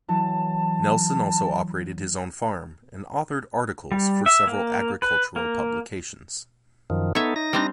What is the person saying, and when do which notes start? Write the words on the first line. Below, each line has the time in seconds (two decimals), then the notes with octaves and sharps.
Nelson also operated his own farm, and authored articles for several agricultural publications.
0.08 E3 F#3 A5
3.92 G3
4.26 E5
4.47 A#3
5.02 B4
5.36 A#3
6.90 F#2 D#3 F3
7.15 B3 D#4 A4 C#5 E5
7.36 D#4 A#6
7.53 G3 C4 D4